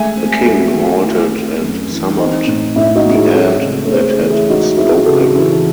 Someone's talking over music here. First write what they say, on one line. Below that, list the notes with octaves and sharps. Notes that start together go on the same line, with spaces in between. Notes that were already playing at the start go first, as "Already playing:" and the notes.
The king halted and summoned the ant that had spoken.
Already playing: G#3 A3 E5 G#5
C4
F#2 F#4 A4
D#3
A3 E4
C4
F#2
E3
C4 D#4
A2
A2 E4
D#4 F#4
G#3
E4 G#4
C4 A4 C#5
C#3
A4
C#3 G#4 C5
G#4 C5
E3
E4 G#4
G#3 D#4 F#4
C4 E4 G#4
C#3 F#4 A4
E3